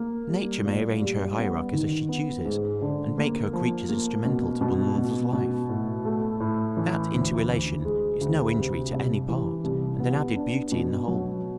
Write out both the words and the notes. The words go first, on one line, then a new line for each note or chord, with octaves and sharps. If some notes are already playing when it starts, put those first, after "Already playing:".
Nature may arrange her hierarchies as she chooses and make her creatures instrumental to one another's life. That interrelation is no injury to any part and an added beauty in the whole.
Already playing: A#3
G3
A#2
G3
B3
D#3
B3
G#2
D3
A#3
F3
A#3
B2
B2
B2
B2
A2
A3
A2
E3
D2
D2
G#3
D2
C3
C2
E3
C2
B3
D4
B2
F#3